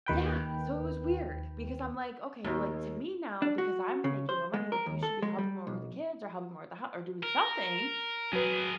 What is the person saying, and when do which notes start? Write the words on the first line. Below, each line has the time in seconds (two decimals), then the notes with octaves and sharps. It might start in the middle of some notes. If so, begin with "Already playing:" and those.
Yeah, so it was weird because I'm, like, "Okay" like, to me, now because I'm making more money, like, "you should be helping more with the kids or helping more with the hou or doing something,
0.06 D#2 D#3 B4 G5
2.44 D#2
3.42 D4
3.58 F#4
4.04 C#3
4.29 C5
4.54 G#3
4.72 A#4
4.86 D#2
5.03 A4
5.22 G#3
5.38 G3
5.67 B1
7.23 A#4
8.33 F#3 G#4 A#4 B4